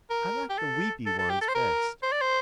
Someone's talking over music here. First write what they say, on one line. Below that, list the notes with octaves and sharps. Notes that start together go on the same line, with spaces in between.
I like the weepy ones best.
A#4
G4
A4
A4
A4
G4
A4
C5
A#4
C5
D5
C5